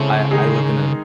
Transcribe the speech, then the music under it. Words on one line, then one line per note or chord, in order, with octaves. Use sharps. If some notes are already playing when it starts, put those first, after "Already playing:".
I I live in a
Already playing: C#3 G#3 C4 E4 A4 C#5
D#3 G#3 D#4 G#4